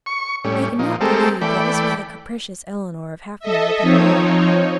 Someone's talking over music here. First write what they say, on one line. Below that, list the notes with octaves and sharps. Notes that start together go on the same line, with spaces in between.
They could not believe that this was the capricious Eleanor of half an hour before.
C#6
A2 G3 C#4
A#2 F3 D#4
G#3 A3 C4 G4 A4 A#4
E3 A3 D5 G5 B5
A4 D#5 E5
F3 C4 D#4 C#5